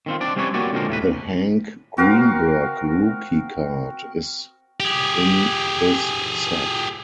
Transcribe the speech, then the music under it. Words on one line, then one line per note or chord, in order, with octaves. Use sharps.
The Hank Greenberg rookie card is in this set.
D#3 C4 F4
C4 D4 D5
G3 C4 C#4 E4 B4 C#5
A#3 F#4 G4 C#5 D5
A#2 D3 G#3 C4 D4 A#4
A2 C3 A#4 B4
C4 F#4 A#4 F5
G4 G#4